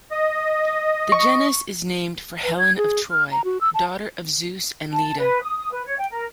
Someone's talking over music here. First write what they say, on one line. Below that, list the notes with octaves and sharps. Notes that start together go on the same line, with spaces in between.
The genus is named for Helen of Troy, daughter of Zeus and Leda.
D#5
C#6
B4
G#6
G#4
F6
A#5
F#4
E6
A5
A5
B4
D#6
B4
C#5
G5
A#4